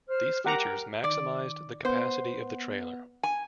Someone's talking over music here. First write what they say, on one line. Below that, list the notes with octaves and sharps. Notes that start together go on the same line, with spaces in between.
These features maximized the capacity of the trailer.
C5 F6
G4 A#4 F#5 A#5
D#3 D5
B3 B4 C5 F#5
G#5